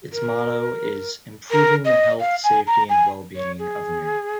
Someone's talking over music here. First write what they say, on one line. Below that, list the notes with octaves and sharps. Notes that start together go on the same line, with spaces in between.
Its motto is "Improving the health, safety, and well-being of America".
A#4
A#4
D#5
F5
G#5
A#5
G#5
C#5
G#4